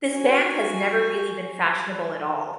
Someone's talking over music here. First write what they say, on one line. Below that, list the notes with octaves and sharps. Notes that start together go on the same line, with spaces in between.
This band has never really been fashionable at all.
F#4 G#5